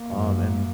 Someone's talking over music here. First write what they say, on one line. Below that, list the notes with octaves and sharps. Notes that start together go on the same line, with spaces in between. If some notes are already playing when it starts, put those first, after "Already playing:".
um, and
Already playing: A#3
F#2